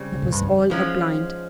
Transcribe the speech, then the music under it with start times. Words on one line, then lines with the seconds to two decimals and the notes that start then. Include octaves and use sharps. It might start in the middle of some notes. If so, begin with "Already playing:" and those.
That was all a blind.
Already playing: C#3 G3 C4
0.13 C3
0.22 A#2
0.32 G2
0.42 F2
0.70 G#2 F3 G#3 C#4